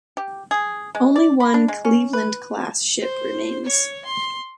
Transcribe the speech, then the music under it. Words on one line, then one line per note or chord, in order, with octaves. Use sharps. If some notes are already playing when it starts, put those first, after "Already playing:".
Only one "Cleveland"-class ship remains.
G4
G#4
G#3
D5
B5
D4
G#3
C#4
B4
C5
C#5
C6